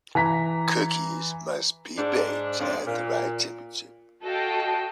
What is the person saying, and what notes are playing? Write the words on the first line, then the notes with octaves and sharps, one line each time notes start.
Cookies must be baked at the right temperature.
E3 A#5 B6
G#2 D4
F2 G#2 C#3 F3 D4
A#2
F#4 A4 D#5 F5 G5